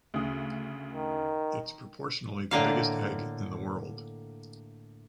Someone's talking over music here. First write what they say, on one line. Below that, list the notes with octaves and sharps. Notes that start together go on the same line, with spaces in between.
It’s proportionally the biggest egg in the world.
D2 C#3 D#6
D#3
A2 D3 A#3 F5